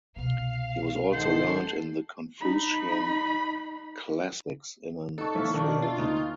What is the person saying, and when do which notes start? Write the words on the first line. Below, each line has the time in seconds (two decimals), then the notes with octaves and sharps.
He was also learned in the Confucian classics and in astrology.
0.16 C2 B2 F5
1.13 G#2 D3 D#3 A4 C5 F#5 C7
2.41 D#4 B5
5.18 D4 D#4 A4 A5 C#6
5.35 D#3 F3 A#3 C#4 E4 G#5 C#6
5.54 A#1 D#3 D4 A#5 C#6 E6
5.68 B2
5.82 A3 F4
5.97 D2 A#3 D#4 C6